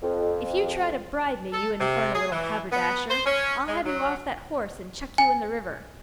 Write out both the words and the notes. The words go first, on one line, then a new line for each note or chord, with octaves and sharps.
'If you try to bribe me, you infernal little haberdasher, I'll have you off that horse and chuck you in the river.'
F2
A4
C3
G#4
E3
B3
C5
C#4
G#3
F#3
G#5